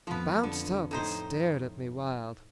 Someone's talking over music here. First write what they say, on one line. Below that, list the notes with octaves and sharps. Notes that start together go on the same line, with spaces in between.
He bounced up and stared at me wild.
F2 F3 B3
F2 D3
A2 D#4 C5